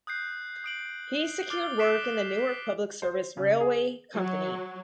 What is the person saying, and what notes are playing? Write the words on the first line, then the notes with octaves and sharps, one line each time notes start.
He secured work in the Newark Public Service Railway Company.
D#6 F#6 G6 C7
D#6 D7 F#7
D6 F6 A6 G7
D#6 F#6 B6 C7 D7 E7
B6
C5
C#3
G#4
F#3